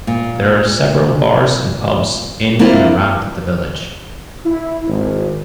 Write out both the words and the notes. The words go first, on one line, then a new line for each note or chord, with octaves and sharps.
There are several bars and pubs in and around the village.
A#2
A#3 C4 D4 E4 F4
E4
G#1